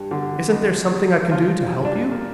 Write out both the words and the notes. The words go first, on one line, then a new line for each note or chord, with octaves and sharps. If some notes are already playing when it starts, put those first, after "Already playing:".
"Isn't there something I can do to help you?"
Already playing: G2
D3
F2
G3
F3 F4
G2
D4
A#3